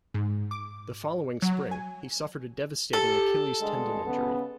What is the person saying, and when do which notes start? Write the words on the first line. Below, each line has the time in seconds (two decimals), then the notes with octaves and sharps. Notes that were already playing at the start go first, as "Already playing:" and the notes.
The following spring, he suffered a devastating Achilles' tendon injury.
0.14 G#2
0.51 D6
1.42 F#3
1.71 G#5
2.93 G4 A4
3.59 G2 D3 G#3
4.04 C#3 B3